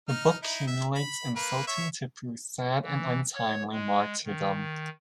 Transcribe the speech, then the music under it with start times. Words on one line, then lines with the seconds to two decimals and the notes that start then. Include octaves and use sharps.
The book culminates in Sultan Tipu's sad and untimely martyrdom.
0.08 D#4 F6
0.43 D#4 E4
0.67 E5
0.95 B5
1.36 A#3 B4
1.67 C#5 E5
2.83 E3
3.35 C#5
3.72 G#3
4.25 D#3